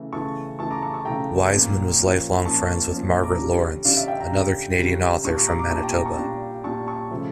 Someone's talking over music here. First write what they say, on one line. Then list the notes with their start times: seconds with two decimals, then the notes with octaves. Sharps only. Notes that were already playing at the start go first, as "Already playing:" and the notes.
Wiseman was lifelong friends with Margaret Laurence, another Canadian author from Manitoba.
Already playing: C#3 E3 A3
0.13 C#3 E3 A3 A5 C#6
0.59 C#3 E3 A3 A5 C#6
0.71 A#5 D6
0.83 A5 C#6
0.94 A5 C#6
1.05 C#3 E3 A3 G5 A#5
1.53 A#2 F3 A#3 C#4
1.99 A#2 F3 A#3 C#4
2.45 A#2 F3 A#3 C#4 A5 C#6
2.91 A#2 F3 A#3 C#4
3.23 A#5 D6
3.39 D3 G3 C#4
3.85 D3 G3 C#4 D5 F5
3.97 E5
4.08 E5 G5
4.20 G5 A#5
4.32 D3 G3 C#4
4.78 D3 G3 C#4
5.24 A#2 G3 D4 A5 C#6
5.36 A#5 D6
5.48 A#5 D6
5.59 A#5 D6
5.70 A#2 G3 D4 A5 C#6
5.83 G5 A#5
5.94 A#5 D6
6.06 A5 C#6
6.17 A#2 G3 D4 G5 A#5
6.64 A#2 G3 D4 A5 C#6
6.87 A5 C#6
7.11 C#3 F3 A3